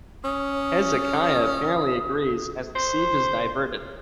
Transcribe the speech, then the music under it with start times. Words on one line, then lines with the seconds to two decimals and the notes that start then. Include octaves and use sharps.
Hezekiah apparently agrees, as the siege is diverted.
0.24 C#4 D#6
2.75 C5